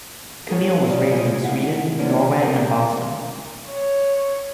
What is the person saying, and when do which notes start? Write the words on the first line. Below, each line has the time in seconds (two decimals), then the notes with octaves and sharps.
Camille was raised in Sweden, Norway and Boston.
0.49 G#4 A4 C#5
0.86 G#2 C#3 D5
1.11 C#3 G#3 F4 G4 G#4
1.43 A2 E5 F#5
1.98 F3 A#3 B3 C#4 D4
2.43 C4 G4 G#4 A#4
3.69 C#5